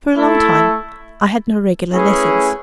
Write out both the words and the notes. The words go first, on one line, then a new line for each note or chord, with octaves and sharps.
For a long time I had no regular lessons.
A3 E4 A4 E5
A3 C#4 E4 G#4 B4